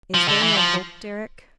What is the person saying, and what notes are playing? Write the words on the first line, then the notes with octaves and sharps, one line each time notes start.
"Is there no hope, Deryck?"
F3
D3
E3
F3